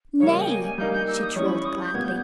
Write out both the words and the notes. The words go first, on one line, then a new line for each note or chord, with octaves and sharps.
"Nay!" she trilled gladly.
C#3 G3 A#3 C#5
D#5
G5
G#5
G#5
G3 A#3 D#4 G6
G6
E6
D#6
E3 G3 C#4 C#6
B5
C#6
D#6
G6
A#2 G3 B3 G#6
G6